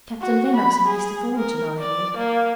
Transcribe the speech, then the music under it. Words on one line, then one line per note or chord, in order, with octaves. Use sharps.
Captain Lennox and Mr. Thornton are here.
F#4
B5
G#4
A#4
D5
A#3